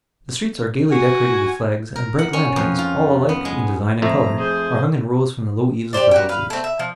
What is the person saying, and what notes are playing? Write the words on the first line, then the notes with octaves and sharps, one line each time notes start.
The streets are gayly decorated with flags, and bright lanterns--all alike in design and color--are hung in rows from the low eaves of the houses.
F#4 G#5
A#4
F#5
C#4
F2
F4
B3
G#3
F2 A3 A#5
G#4 C5
G4 B4 C5 D5
F#4 G4
B4 F5
A3 C4
E5
F3